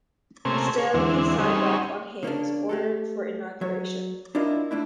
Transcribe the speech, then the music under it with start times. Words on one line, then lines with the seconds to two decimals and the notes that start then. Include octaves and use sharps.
Still, he signed off on Hayes' order for inauguration.
0.45 C3 A3 A#3 C4 C#4 G#5
0.78 G#4 C#5
0.94 E2 D3 E3 G#3 C4
1.38 G3 C4 C#4 D#4 G#4
2.23 C#3 A#3 C#4 D4
2.69 A3 G4 A4
3.61 F#3 C#5
4.35 D4 E4 F4 A#4 D#5
4.71 A3 A#3 D4 E4